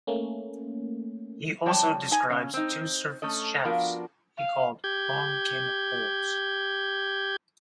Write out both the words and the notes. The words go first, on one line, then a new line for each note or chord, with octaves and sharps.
He also describes two surface shafts he called ""Long Kin Holes"".
A3 A#3 C#4
F2 G3 C#5 G5 A5
D#4 G#5
C#3 C#4
C4 D#4
A3 C#4 A4 D#5
F3 B3 D4 F4 F#4 A#4
F5
G4 G6 G#6